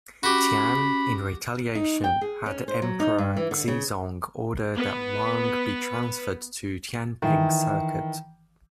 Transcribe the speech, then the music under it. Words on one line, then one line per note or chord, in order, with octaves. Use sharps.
Tian, in retaliation, had Emperor Xizong order that Wang be transferred to Tianping Circuit.
C#4 F#4 G4 B5
D#4
G5
G#4
C#4
C5
F#3
D#4
G2
E3
D3
C#3
B3 B4
D#3 E3